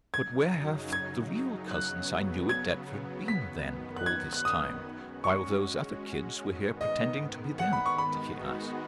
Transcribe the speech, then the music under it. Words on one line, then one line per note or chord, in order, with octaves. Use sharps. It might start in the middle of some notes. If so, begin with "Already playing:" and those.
"But where have the real cousins I knew at Deptford been then--all this time--while those other kids were here pretending to be them?" Dickie asked.
F#2 C#3 F#3 D#4 G#6
G#6
C#3 F#3 B3 F#6
G#6
F#2 D#3 B3 B6
F#6
G#6
F#6
D#6
G#3 C#4 F#4
C#6
G#2 D#3 B3
D#5
F#5
B5
C#6
D#3 G#3 B3 D#4 F#4 B5